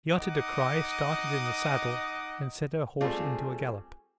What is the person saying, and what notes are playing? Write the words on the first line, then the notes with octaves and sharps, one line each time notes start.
She uttered a cry, started in the saddle, and set her horse into a gallop.
D#4 D#5 F#5 D6 D#6
G3 A3 C4 F4 G#4